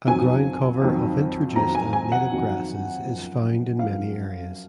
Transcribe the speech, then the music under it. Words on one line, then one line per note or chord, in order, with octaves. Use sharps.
A ground cover of introduced and native grasses is found in many areas.
F2 D#3 F#3 G#5
F2 D#3 F#3
F2 D#3 F#3 A#5
G#5
G#5
F#5
F2 D#3 F#3
F#2 F3
F#2 F3 F5